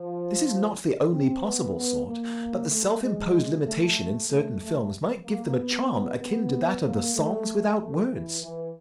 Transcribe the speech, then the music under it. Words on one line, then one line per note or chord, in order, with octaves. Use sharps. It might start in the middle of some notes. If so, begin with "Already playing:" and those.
This is not the only possible sort, but the self-imposed limitation in certain films might give them a charm akin to that of the Songs without Words.
Already playing: F3
C4
B3
B3
A#3
A3
G#3
A3
A3
A3
A#3
B3
B3
A#3
A3
A3
E3
E3